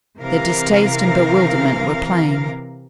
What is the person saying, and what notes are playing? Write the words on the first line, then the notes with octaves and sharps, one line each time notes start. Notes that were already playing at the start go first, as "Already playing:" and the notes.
Their distaste and bewilderment were plain.
C3 E3 A#4 F5